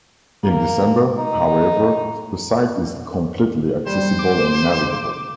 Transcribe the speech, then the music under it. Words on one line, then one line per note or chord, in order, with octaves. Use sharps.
In December, however, the site is completely accessible and navigable.
A#3
D#4
G3 C5
D6